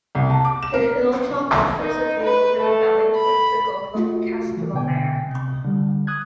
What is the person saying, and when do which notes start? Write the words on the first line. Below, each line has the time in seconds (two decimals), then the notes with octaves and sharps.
The hilltop offers a view over the valley towards the Gulf of Castellamare.
0.15 C2
0.30 A5
0.45 D6
0.63 E7
0.74 A#4
1.79 D#4
2.23 B4
2.60 A3
3.16 B5
3.95 A3 F4 F#4
4.57 E3
4.74 B2 D3 G5 G#5
5.27 C3
5.65 D3 G3
6.07 D#6 F#6 G#6